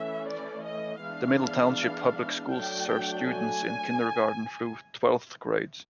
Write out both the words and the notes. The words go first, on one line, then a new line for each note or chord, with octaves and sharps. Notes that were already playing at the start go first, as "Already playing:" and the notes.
The Middle Township Public Schools serve students in kindergarten through twelfth grade.
Already playing: E3 A3 C#4 E5
D5
D#5
E3 G#3 B3 D4 F5
F#3 A3 D4 G5
G#5